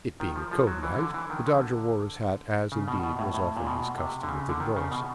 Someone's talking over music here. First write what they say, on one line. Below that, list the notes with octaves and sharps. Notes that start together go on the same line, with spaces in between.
It being a cold night, the Dodger wore his hat, as, indeed, was often his custom within doors.
D#3
F3
F3
F#3
E3
D3
E3
D#3
D3
C#3
B2
B2
A2
A2
A#2
B2
C3
D3
C#3
D3
D#3
C#3
B2